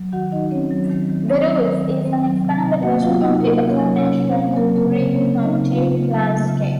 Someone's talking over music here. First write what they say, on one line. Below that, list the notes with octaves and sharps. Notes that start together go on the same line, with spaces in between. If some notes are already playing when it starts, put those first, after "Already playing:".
"The roots" is an expanded version of the aforementioned Greek country landscape.
Already playing: F#3
D#3 F#4 F#5
D#3 D#4 D#5
C4 C#4 C#5
F#3
D#3
D#3
C4
F#3
D#3
D#3
C4
F#3
C3
C3
A#3 F#4 F#5
F#3 F4 F5
C3 D#4 D#5
C3 A#3 A#4
A#3
C#4 C#5
F#3
C3 C#4 C#5
C3
C4 C5
A#3
F#3 A#3 A#4
C#3 A#3 A#4
C#5
C#3 C4 C5
A#3 C#4 C#5
F#3
D#4 D#5
C#3
C#3 F4 F5
A#3
F#3
C#3
C#3